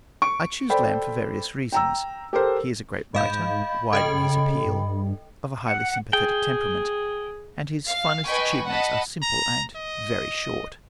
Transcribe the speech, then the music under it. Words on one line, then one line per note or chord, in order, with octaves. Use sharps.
I choose Lamb for various reasons: He is a great writer, wide in his appeal, of a highly sympathetic temperament; and his finest achievements are simple and very short.
C#6 D7
A4 C5 D5 G5 B5
G5 A#5 E6
G4 A4 A#4 C5
G#2 D#5 F5 B5 G6
C#3 A4 D#5 G5
G2
F#5
G#4 G5
F5
B4 D#5 G5 G#5 B5 C#6
D#5 F#5 A5 B5
A#5
D#5